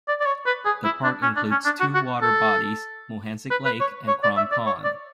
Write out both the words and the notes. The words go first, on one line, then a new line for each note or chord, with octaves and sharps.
The park includes two water bodies, Mohansic Lake and Crom Pond.
D5
D5
C#5
B4
G#4
E4
D4
C#4
D4
C#4
D4
F#4
F#4
A4
B4
B4
C#5
C#5
D5
E5
D5
C#5
D5